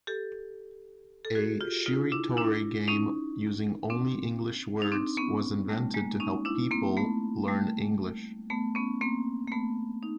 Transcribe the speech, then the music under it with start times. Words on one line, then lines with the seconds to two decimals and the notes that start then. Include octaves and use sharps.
A Shiritori game using only English words was invented to help people learn English.
0.07 G4 A4
1.25 A4
1.35 F#4 G#4
1.61 F4 G4
1.86 D#4 F4
2.12 D4 E4
2.37 D4 E4
2.88 C#4 D#4
3.90 C4 D4
4.82 D#4
4.92 C4 D4
5.17 B3 C#4
5.69 G3 A3
5.94 G#3 A#3
6.20 C#4 D#4
6.45 D4 E4
6.71 A#3 C4
6.97 A3 B3
7.48 G3 A3
8.50 A3 B3
8.75 B3 C#4
9.01 A#3 C4
9.47 A#3
9.52 A3 B3
10.03 D#4